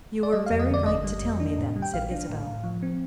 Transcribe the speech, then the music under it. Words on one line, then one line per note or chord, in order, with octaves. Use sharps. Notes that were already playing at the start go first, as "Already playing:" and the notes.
"You were very right to tell me then," said Isabel.
D5
G3 D#5
F2 F5
D#5
D3
D5
G1 D#5
G3
F2
D4
A2
G3
G5
A#1 F5
D4
A2
A2
F3
C4